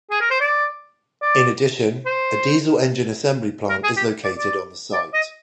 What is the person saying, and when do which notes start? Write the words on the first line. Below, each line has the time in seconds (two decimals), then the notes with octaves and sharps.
In addition, a diesel engine assembly plant is located on the site.
0.11 G#4
0.21 A#4
0.31 C5
0.41 D5
1.22 D5
2.06 C5
3.70 A#4
3.84 G#4
3.97 G4
4.25 D5
4.38 D5
4.93 D5
5.14 D#5